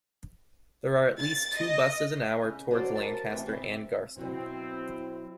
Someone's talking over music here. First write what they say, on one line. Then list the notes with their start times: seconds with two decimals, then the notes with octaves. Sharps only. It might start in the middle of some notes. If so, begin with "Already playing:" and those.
There are at least two buses an hour towards Lancaster and Garstang.
1.19 A6
1.57 D#5
2.43 C#3
2.71 F#3 D4 B4 C5 D5
2.96 F4 A#4 A5
3.30 A2 C3 D#3 E3
3.46 C4 E5
4.17 B2 F#3 C4 E4 F#4